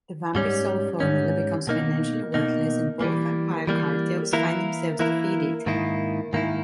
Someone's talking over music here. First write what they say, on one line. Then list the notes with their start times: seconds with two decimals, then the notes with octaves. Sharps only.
The Vampisol formula becomes financially worthless and both vampire cartels find themselves defeated.
0.35 G#2 G3 C#4
1.00 G#2 G3 C#4
1.67 B2 A#3 D#4
2.34 B2 A#3 D#4
3.01 E3 G3 A#3
3.67 E3 G3 A#3
4.33 E3 A#3 E4 A#4
4.99 E3 A#3 E4 A#4
5.66 G#2 D#3 A#3 E4
6.33 G#2 D#3 A#3 E4